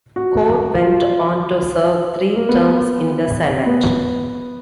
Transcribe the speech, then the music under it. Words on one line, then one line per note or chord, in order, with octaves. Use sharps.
Gore went on to serve three terms in the Senate.
F#4
F4
A#3
B3
B3